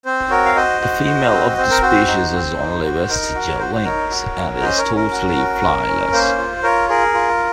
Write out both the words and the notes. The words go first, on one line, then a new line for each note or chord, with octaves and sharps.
The female of this species has only vestigial wings and is totally flightless.
C4 C5
F#4 A#4 C#5
F5
F#4 C5 D#5
F#4
F#4
C4
C4 C5
A#4
F#4 C5
D#4
C4
D#4
F#4
D#4 A#4
F#4
C#5
F#4 C5
C5
D#4 A#4 C#5
F#4
C#4
C#4 C5 D#5
A#4 C#5
C#4
A#4
F#4
C#4
C#4
C#4
A#3 C5
F4
F4 A#4 C#5
G#4 A#4
F4